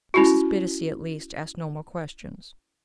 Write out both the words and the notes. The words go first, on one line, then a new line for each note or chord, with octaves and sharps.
Mrs. Bittacy, at least, asked no more questions.
C#4 E4 F#4